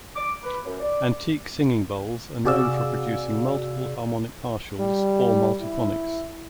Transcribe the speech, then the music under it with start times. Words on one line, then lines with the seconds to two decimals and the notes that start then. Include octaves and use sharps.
Antique singing bowls are known for producing multiple harmonic partials or multiphonics.
0.16 D6
0.44 B4
0.65 F#2
0.80 D5
2.45 C3 F#4 G#4 D5 F5 E6
4.80 G3
5.62 E4